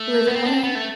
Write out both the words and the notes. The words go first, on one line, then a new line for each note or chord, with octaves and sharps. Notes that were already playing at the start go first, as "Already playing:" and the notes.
Live and learn.
Already playing: A3
B3
C4
D4
C4
B3
A3